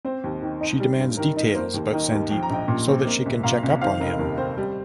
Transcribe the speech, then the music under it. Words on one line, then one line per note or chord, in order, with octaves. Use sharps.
She demands details about Sandeep so that she can check up on him.
C4 C5
D#2
D#3
D#4
G3
G2
D#3 A#4
D#4
A#3 C5
D#2
D#3 A#4 D#5
D#2
F3 G5
A#5
A#1 D#5 G5
A#2
C4
A#3
C2
A#2 F5 A#5
C2
D#3 C5 F5
F1 A#4 D#5
D#2 A#4
C4 C5
G3